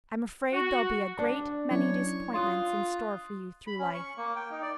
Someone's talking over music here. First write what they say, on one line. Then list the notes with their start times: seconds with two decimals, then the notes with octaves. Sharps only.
"I'm afraid there'll be a great many disappointments in store for you through life."
0.53 F#4
1.18 D4
1.71 F#3 C#4 E4 C#5
2.34 F4 C6 D#6 F#6
3.67 B5
3.79 C#4
3.94 C#6
4.17 A#3
4.36 G5
4.51 D#4
4.62 D5